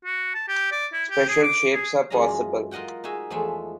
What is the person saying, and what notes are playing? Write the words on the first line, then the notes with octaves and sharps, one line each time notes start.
Special shapes are possible.
F#4
A5
G4
D5
E4
G4
G#4
D6
G#4
F#2 E3 G#3 F4 D#5 A#5
F4 A#4 D#5 F#5 G5
D#4 F#4 G#4 E5
E2 F3 G#3 A3 E5